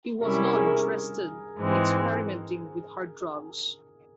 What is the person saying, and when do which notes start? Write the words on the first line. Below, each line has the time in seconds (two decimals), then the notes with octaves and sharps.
He was not interested in experimenting with hard drugs.
0.21 C3 G3 C#4 E4 A#4
0.44 A#4
0.55 G#4
0.67 A#4
1.58 G#2 E3 G#3 C4